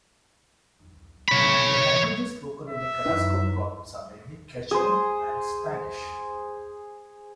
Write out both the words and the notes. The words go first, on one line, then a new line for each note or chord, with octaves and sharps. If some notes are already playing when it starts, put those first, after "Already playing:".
The languages spoken in the Carrasco Province are mainly Quechua and Spanish.
C#5 B5
E5
F#2 D#4 E4 B4
G#4 C5